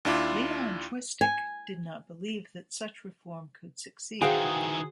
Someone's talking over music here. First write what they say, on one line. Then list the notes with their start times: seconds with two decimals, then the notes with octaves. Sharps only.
Leon Chwistek did not believe that such reform could succeed.
0.05 D#2 D4 E4 F4 D6
1.21 G#5
4.22 D#3 E3 F#4 G#4 C5 F5 G5 G#5